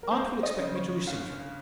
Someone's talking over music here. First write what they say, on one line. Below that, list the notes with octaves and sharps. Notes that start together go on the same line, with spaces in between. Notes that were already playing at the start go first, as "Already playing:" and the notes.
Aunt will expect me to receive him.
A#4
G#3 C5
D#5
C#3 C5
C#5
G1 F5